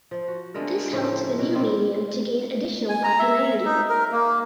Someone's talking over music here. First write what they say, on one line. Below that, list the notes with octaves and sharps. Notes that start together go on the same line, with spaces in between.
This helped the new medium to gain additional popularity.
F3
F#4
D3 G#3 A3 A#4
A2 C#3 F3 D#4
B2 A#4
A#2 G3 C4 F4
G#5
A#5
E5
D#4
A#4
A#3